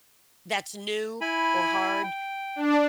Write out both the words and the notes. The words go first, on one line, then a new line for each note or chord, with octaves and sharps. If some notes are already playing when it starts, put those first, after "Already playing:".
"that's new or hard,
E4 G#5 B5
G5
D4